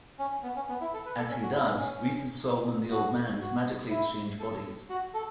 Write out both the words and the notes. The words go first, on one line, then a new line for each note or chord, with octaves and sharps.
As he does, Rita's soul and the old man's magically exchange bodies.
C#4
B3
C#4
B3
E4
A4
B4
A4
C#4
F#4
E4
C#4
C#4
F#4
F#4
E4
A4
F#4
A4